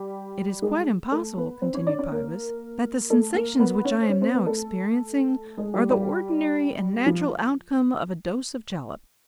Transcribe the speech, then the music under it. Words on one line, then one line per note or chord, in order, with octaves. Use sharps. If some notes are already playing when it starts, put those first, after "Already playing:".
"It is quite impossible," continued Pybus, "that the sensations which I am now experiencing are the ordinary and natural outcome of a dose of jalap."
Already playing: G3 G4
G#3 G#4
A3 A4
B3 B4
C4 C5
C#4 C#5
D4 D5
C#4 C#5
A#3 A#4
A3 A4
A#3 A#4
B3 B4
C#4 C#5
C5
C#4 C#5
C4 C5
B3 B4
A3 A4
G#3 G#4
G3 G4
G3 G4
F3 F4